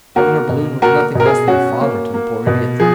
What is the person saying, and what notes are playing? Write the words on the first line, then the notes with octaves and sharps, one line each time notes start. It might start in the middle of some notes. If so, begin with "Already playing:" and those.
Governor Balloon was nothing less than a father to the poor Indians.
A#3 F#4 A#4
B2
A#3 F#4 A#4
B2 A#4
G#4
C#4 F#4
A#3
A#3
B2
F3 G#4